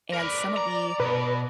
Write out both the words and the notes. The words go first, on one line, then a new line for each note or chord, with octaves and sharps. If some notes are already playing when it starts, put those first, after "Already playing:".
and some of the
A#4 B4 D5
A#5
B2 B4